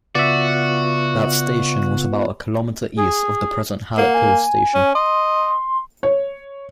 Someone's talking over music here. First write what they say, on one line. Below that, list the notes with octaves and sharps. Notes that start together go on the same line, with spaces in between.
That station was about a kilometre east of the present Hallett Cove station.
C#3 B3 F4 F#4 D5 E5
G#4
A#3 F#5
G#5
C#4
D#5 C6
C#5